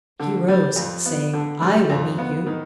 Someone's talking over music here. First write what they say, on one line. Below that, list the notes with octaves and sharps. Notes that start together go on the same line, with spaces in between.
He arose, saying, 'I will meet you.'
D3
G3
F2
B3
D3
G3
F2
B3
D#3